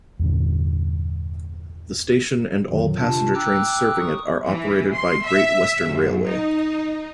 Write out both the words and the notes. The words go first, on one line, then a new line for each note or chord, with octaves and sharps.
The station and all passenger trains serving it are operated by Great Western Railway.
E2 G2 A#2 D3
F2 A#2 D3 D#3 F#3
C3 D4 F4 A5
G5 A#5 D6 E6 F#6
C#6 D#6
E3
C6
E5
F#2
D#4